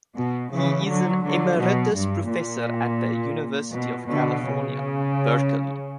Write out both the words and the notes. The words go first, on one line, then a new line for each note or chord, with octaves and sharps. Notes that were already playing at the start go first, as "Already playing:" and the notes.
He is an emeritus professor at the University of California, Berkeley.
B2
C#3 E3
D3 F#3
D3 F#3
B2
G2
A#2
B2
B2 D3
C#3